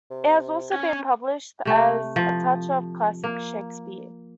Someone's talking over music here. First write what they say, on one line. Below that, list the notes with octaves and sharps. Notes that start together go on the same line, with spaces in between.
It has also been published as A Touch of Classics - Shakespeare.
C3
C#4 G#5
C3 A3
F3
A#3